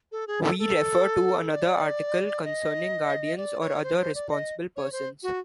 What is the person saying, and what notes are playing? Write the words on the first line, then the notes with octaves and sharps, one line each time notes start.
We refer to another article concerning guardians or other responsible persons.
A4
G#4
A4
A4
D5
D#5
D5
C#5
C5
C5
D5
D#5
C#5
C5
F#4